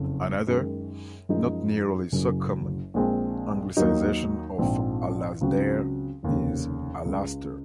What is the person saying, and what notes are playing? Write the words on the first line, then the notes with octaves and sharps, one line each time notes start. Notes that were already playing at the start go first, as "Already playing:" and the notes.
Another, not nearly so common, Anglicisation of "Alasdair" is "Allaster".
Already playing: F#1 F2 C#3
F#2 D#3 G#3
F#2 F3 G#3 D#4
F#1 F#2 C#3 F#3 C#4
A#1 A#2 G#3 C4
D#2 D#3 F#3 A#3 D#4
A#1 G#2 F3 C4
C#2 C#3 F#3 C4 F#4
F1 D#2 C#3
C#2 C#3 G#3